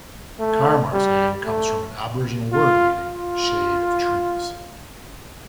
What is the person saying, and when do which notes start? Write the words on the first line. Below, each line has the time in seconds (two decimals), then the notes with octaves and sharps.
Carramar's name comes from an aboriginal word meaning "shade of trees".
0.40 A3
0.93 G3
1.46 A3
2.53 F4
3.05 F4